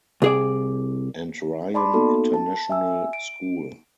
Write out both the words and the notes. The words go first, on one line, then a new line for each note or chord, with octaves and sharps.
And Ryan International School.
C2 G#4 D5
D5 A5 B5 C6 D6
A#3 B3 D#4 F#4 A4
A5
E5 G#5 E6
D7